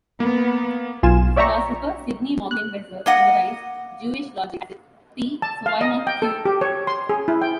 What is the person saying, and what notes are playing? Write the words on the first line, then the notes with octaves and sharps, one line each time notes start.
The philosopher Sidney Morgenbesser summarised Jewish logic as If P, so why not Q?
A#3 B3
B1 F4 G#5 E7
C#5 D5 E5 G5 A#5 C#6
F#6
A#3 D#5 F#5
A5
F5
D#5
G5
A4
G4
C#5
C6
G#4
E4
G5